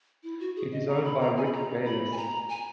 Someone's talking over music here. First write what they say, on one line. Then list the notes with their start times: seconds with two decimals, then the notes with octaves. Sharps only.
It is owned by Rick Bayless.
0.24 E4
0.40 F#4
0.56 G#4
0.72 D#5
0.88 A#5
1.04 B5
1.20 A#5
1.37 G#5
1.45 B5
1.53 A#5
1.85 B5
2.12 G#5
2.17 A#5
2.49 G#5